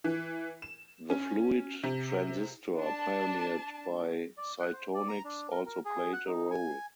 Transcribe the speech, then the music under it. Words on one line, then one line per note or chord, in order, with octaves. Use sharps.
The "fluid transistor" pioneered by Cytonix also played a role.
E3
E7
C#4
C3
D4 A5
D5
F#5
C5
D5
A#5
D4
A#4
A#4
G#4
F#5
D#4
G#5